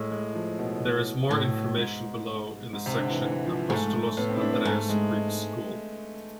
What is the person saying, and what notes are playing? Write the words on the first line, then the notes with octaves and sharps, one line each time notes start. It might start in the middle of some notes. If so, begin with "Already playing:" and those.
There is more information below in the section Apostolos Andreas Greek School.
Already playing: A2 G#3
G#3
F3
B2
A2
G#2
G#2
C3
D3
E3
E3
F3
G#2 A3
A2 B3
C4
E4
D4
B3
G#2 A3
G#3